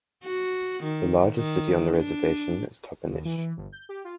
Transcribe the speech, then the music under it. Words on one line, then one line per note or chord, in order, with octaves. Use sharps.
The largest city on the reservation is Toppenish.
F#4
D#3
D#3
D4
D#2
E3
E3
G1
G6
G4
F4